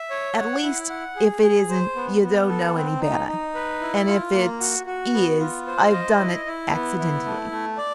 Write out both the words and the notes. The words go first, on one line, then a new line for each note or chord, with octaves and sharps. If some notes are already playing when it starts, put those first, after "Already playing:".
'At least, if it isn't, you don't know any better, and if it is, I've done it accidentally.'
Already playing: E5
C#5
F#5
E4
F#5
G#4
G#4
C5
B3
B3
A4
C4
D#4
D#4
B4
E4
F4
A#3
F#4
F#4
B3
F4
C5
D#5
E4
E4
B3
E4
A3
A3
D5